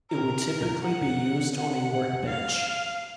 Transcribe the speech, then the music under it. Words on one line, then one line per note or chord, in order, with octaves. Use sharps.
It would typically be used on a workbench.
A#4
F#5
F#5
F5